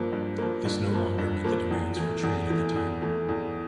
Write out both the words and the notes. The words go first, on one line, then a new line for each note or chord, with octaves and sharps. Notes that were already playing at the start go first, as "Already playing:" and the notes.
This no longer met the demands for trade at the time.
Already playing: G2 F3 A#3
G2
F3 A#3
G2
F3 A#3
G2
F3 A#3
E2
E3 A3
E2
E3 A3
E2
E3 A3
E2